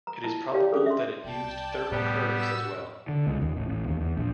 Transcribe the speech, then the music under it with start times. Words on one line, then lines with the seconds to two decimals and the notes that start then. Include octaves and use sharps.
It is probable that it used thermal currents as well.
0.07 A#5
0.24 E4 A5
0.54 G4 C#5 D5 F5 G5
0.72 C#4 D4 G#4 A4
0.86 E5 C6
1.24 C2 D5 G5 A5
1.91 A2 C3 G3 B3
2.33 F#4 E6
3.08 D3
3.27 C#2
3.42 D#2
3.56 A1
3.69 A1
3.88 D#2
4.00 E2
4.17 A#1